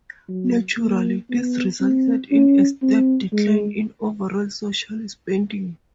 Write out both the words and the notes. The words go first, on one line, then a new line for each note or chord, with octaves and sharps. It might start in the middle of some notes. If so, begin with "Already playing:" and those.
Naturally, this resulted in a steep decline in overall social spending.
F#3
A#3
B3
C4
C#4
C4
G#3